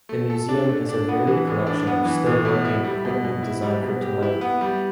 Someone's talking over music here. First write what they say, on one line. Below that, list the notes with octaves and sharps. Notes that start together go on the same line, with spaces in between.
The museum has a varied collection of still-working equipment designed for telegraphy.
A3
A4
D4
A3
D4
B3
E3
A2
D4
B3
E3
A2
B2
E4
G3
B2
B2
E4
G3
B2
G4
E4
B3
G3